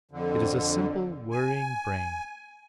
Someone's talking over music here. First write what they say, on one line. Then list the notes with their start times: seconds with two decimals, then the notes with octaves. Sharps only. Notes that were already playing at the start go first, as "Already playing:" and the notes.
It is a simple, worrying brain.
0.11 F2 D3
1.31 G#5